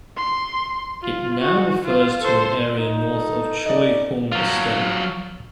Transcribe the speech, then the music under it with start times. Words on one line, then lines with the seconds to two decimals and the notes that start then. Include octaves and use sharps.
It now refers to an area north of Choi Hung Estate.
0.17 C6
1.02 F4
1.40 F#4
1.85 F4
2.21 A4 C5
2.79 D#4
3.10 A4
3.66 D5 D#5
4.32 F#3 F4